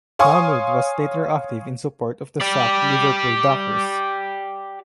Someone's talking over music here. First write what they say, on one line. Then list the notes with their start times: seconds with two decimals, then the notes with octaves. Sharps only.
Mahmood was later active in support of the sacked Liverpool Dockers.
0.19 C#5 F5 G#5 C6 C#6 D#6
2.41 G4 D5